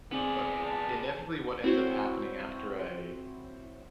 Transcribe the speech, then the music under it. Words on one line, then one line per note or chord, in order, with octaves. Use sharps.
But, uh, inevitably, what ends up happening after I
B3 C4 G#4 D5 F#7
A5
C4 E4 F#4 C5 C#5